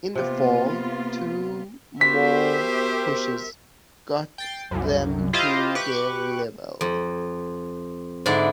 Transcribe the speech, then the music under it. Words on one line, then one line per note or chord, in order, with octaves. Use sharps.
In the Fall, two more pushes got them to the level.
C3 A#3 B3 F4
B3 F#4 G4 A#4 C5 E5 C#6 B6
G5 A6 C7
C2 F#2
E4 F4 G4 C5 D#5 F5
G4 B4 C#6 D6 F#6
F2
G#2 D3 D4 E4 D5